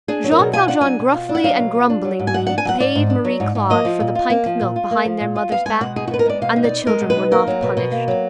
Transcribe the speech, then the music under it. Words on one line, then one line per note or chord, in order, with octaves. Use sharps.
Jean Valjean gruffly and grumblingly paid Marie-Claude for the pint of milk behind their mother's back, and the children were not punished.
D4 G#4
F#3
A#4
B2
F4 G#5
D4 F#5
F#3 G#5
B2
F4
D4
F#5
F#3 F5
B2
F4
D4
F#3
G#2
G#5
G#2 F#5
D4 F#5
G#5
F#3 F#5
G#2 D5
G#2
D4
F#3
G#2
G#2
A#3 D#5
F3
A#2
F4
A#3
F3
A#2
F4
A#3
F3
A#2
F4
B3 F5
G#3 G#5
B2 F#5
D#4 G#4
F#4
B3 B4
A#4
G#3 D5
B2 F5
D#4
D5
B3
G#3 A#4
B2
B4
D#4
A#3 A#4
F#3
B2
B2
A#3
F#3